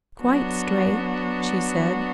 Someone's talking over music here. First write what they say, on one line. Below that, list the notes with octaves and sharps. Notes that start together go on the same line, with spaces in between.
"Quite straight," she said.
F#3 B3 D4 F#4